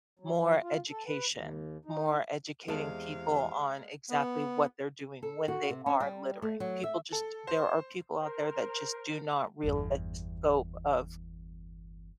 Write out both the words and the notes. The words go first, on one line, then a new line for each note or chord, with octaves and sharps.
more education, more educating people on exactly what they're doing when they are littering, people just there are people out there that just do not realize the scope of
F#3
F3
F4
A4
B4
D#2
D#4
E2 C3 G#3 F5 A5
B3
A4
F#4
C3
C#4
G3
A3
F#3
E5
A4
C5
A#4 C5
G1 E2